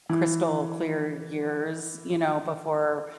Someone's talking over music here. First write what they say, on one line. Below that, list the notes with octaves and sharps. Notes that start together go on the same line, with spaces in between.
crystal clear years," you know, before
E3